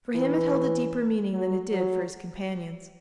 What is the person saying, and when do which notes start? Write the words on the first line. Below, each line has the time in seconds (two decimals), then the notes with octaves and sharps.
For him it held a deeper meaning than it did for his companions.
0.15 E3
1.34 F#3
1.72 F#3